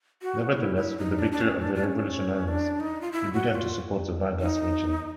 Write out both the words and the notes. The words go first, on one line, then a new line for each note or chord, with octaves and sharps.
Nevertheless, with the victory of the revolutionaries, he began to support the Vargas regime.
F#4
E4
E4
D#4
D4
D4
C#4
D4
D4
C#4
D4
D#4
F4
E4
F#4
F4
D#4